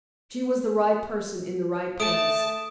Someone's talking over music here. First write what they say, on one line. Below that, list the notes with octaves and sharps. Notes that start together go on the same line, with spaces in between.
She was the right person in the right place.
A3 A5 D#6 D7